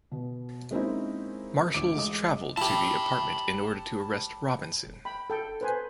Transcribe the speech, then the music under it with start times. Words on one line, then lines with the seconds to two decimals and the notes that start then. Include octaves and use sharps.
Marshals traveled to the apartment in order to arrest Robinson.
0.12 B2
0.71 G#3 A#3 C4 C#4 D#4 E4
1.74 D2 E3 D6 D7
1.96 G#3 D#5 D6
2.57 E4 G4 A5 B5
5.05 G5 B5
5.30 A4 G5
5.61 B4 C5 G#5